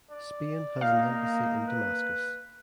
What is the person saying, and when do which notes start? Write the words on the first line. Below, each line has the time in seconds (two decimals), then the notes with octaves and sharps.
Spain has an embassy in Damascus.
0.10 D5
0.81 A#3 D#4 F5
1.68 B4